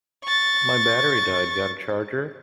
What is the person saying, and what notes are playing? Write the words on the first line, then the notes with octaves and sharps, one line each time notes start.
My battery died, got a charger?
C#6 A6